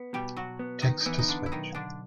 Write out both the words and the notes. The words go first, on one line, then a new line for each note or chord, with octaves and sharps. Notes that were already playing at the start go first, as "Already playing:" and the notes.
Text to Speech.
Already playing: B3
B2 G3 G4
F#3 F#4
B3
D#3 D#4
D#4
E3 B3 E4
D#4
D3 D4
E4
B1 D#3 D#4
D3 D4